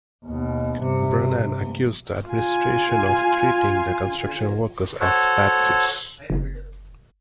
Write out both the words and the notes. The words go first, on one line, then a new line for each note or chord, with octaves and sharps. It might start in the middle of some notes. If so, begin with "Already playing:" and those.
Brennan accused the administration of treating the construction workers as "patsies".
D#2 B2
G2 C3
F4 G#5
F#4 A4 C5 C#5
F#1